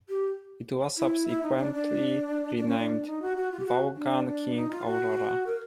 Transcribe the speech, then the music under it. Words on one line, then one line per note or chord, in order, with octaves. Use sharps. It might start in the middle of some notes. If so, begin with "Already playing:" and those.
It was subsequently renamed "Vaughan-King-Aurora".
G4
E4
E4
D#4
D4
D4
D4
C#4
D4
D#4
F#4
F#4
F4
G4
F#4
D4
D4
D#4
F4
F#4
A#4